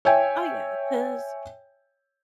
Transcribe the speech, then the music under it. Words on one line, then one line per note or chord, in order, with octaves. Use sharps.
Oh, yeah, 'cause
C#5 E5 G5 G#5